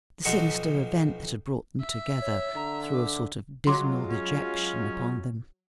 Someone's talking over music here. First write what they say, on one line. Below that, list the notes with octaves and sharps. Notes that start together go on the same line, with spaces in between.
The sinister event that had brought them together, threw a sort of dismal dejection upon them.
B1 F3 D#4 F#4 C#6
E5
C#5
D3 A#5
D6
F#3 G#3 F4 C6 D6
C#4